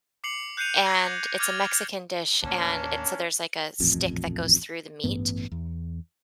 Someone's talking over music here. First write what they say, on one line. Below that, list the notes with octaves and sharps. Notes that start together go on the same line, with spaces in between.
and it's a Mexican dish, and it so there's, like, a stick that goes through the meat,
D6 C7 C#7 F#7
F#6 G6 C7 C#7 D#7 F7
G#6 A#6
D6 F6 G#6 A6 F7
D#2 A2 A#3 C#4 D4 A5
D#1 A1 F2
A1 G2 B3
E2